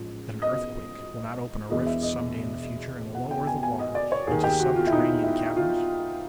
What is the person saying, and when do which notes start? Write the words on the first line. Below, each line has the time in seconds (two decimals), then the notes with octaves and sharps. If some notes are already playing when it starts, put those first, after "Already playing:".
That an earthquake will not open a rift--some day in the future--and lower the water into subterranean caverns?
Already playing: A1 G#2 F3
0.42 D#5
1.70 E1 E2 B2 D#5
1.86 E5
2.02 D#5
3.15 F#5
3.31 G5
3.47 G#5
3.63 G#5
3.79 D#5
3.95 D5
4.12 C#5
4.27 D#2 D#3 G#4
4.44 G4
4.60 F#4
4.75 F4
4.87 E4
4.92 D#4
5.23 E4
5.56 F4